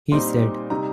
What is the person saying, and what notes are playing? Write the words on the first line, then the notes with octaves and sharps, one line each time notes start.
He said ...
A#2 G3 C4 D#4 C6
C3 G3 D#4 A#5